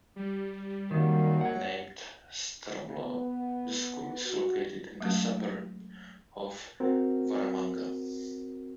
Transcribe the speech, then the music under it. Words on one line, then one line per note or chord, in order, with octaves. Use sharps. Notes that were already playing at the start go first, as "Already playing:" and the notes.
Named Stromlo, the school is located in the suburb of Waramanga.
G3
F#2 D#3 A#3
C#5 F#5
B3
F#4
F#3 G#3 A3 C#4
C4 F#4 A#4